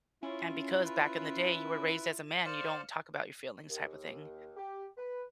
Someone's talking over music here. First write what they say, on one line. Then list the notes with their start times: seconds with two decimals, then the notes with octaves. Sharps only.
And because, back in the day, you were raised as a man, you don't talk about your feelings type of thing
0.23 C#4 E4 F4
0.84 B4
2.45 C5 D5 F5 C#7
3.70 D#2
4.57 G4
4.98 B4